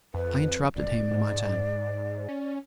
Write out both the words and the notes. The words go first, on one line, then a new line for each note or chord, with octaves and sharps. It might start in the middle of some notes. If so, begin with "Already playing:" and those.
I interrupted him in my turn.
F2 B4
F1 D5
G#2
C#4